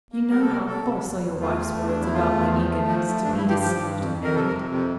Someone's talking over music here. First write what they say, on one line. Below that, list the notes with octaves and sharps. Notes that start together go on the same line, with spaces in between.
You know how false are your wife's words about my eagerness to be deceived and married.
A#3
G3 A#4
A4
C3 A#4
C3 A4
C3
E2
E2
A3 F4
A3
E2
D4
E2
E4
A3 F4
E2
F3
A3
F3
A3
G2 D4
E4
G2
G4
F3 G4
G2
F2
F2
A#4
C3 A4
A#4
F2
C3